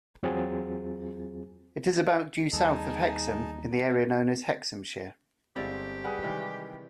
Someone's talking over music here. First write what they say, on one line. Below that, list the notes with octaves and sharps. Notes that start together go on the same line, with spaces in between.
It is about due south of Hexham in the area known as Hexhamshire.
E2 F#3 C4 F4 G#4 A6
D#2 G3 D#4 G#4 A4 B4 A5
G1 G#3 C4 E4 G4 D5 F5
C#3 G3 B4 F#5 G#5 D#6
C3 D#3 E3 G3 G#3